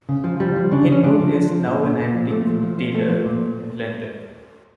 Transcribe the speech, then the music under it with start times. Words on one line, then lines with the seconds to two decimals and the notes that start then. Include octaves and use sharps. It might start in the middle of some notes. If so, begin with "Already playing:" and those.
Hinwood is now an antiques dealer in London.
0.09 C#3
0.24 F3
0.40 F3 G3
0.56 F3
0.71 C#3 D4
0.88 C#3 C#4
1.03 C#3 D4
1.19 F3
1.35 F3
1.51 F3
1.67 A#2
1.83 A#2
1.99 A#2
2.14 F3
2.30 A#2 A3
2.47 F3
2.63 F3
2.78 F3
2.94 F3 A3
3.09 F3
3.25 A#2